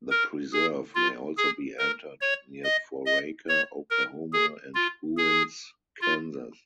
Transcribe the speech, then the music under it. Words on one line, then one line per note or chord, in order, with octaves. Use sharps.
The preserve may also be entered near Foraker, Oklahoma, and Hewins, Kansas.
A#4
G#4
F4
G#4
A#4
C#5
D#5
D#5
C#5
A#4
G#4
F4
G#4
F4